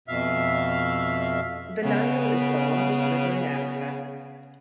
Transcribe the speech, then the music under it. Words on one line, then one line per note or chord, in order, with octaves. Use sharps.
The Nile is the longest river in Africa.
F2 B2 E5 F5
C#3 B3 G#4